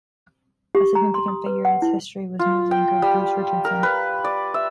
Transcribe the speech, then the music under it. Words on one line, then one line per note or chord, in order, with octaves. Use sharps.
A significant figure in its history was news anchor Bruce Richardson.
G4
A#5
C6
D#6
B4
F#5
E4
F4
G5
G3
A#4
B4
D5
E5